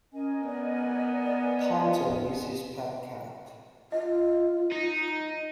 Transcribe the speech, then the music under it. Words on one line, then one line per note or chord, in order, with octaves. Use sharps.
Tonto is his pet cat.
C#4 A#4 D#5 G#5
B3 D5
F4 D#5
D#4